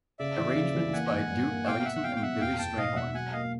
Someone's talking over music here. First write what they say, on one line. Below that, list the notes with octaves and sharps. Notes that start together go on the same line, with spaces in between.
Arrangements by Duke Ellington and Billy Strayhorn.
C#3 D5 E5
E3
C#3
E3
A#3 F#5 G#5
G2
G2
A#3
B2 F5 G5
F5
B2 E5 F#5
F#5
B2 F5 G5
G5
B2 E5 F#5
E2 F5 G5
E2 G5 A5
E1 D#5 F5
E1 E5 F#5
F#3 F#5 G#5
A#3 D#5 F5